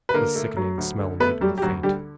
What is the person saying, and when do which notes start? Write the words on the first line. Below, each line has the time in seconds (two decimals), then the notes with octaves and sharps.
The sickening smell made him faint.
0.09 B4
0.14 D3 A#3 A#4
0.35 A3
0.57 F#3
0.78 D2
0.99 D3
1.20 A3 B3 B4
1.41 F#3 G3 G4
1.58 G4
1.62 D2 F#3 F#4
1.83 D3 G3 G4